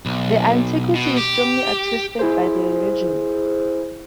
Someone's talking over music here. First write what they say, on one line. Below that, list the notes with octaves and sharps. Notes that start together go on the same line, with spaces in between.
Their antiquity is strongly attested by their religion.
B1
B2
G4
E4 G#4 C5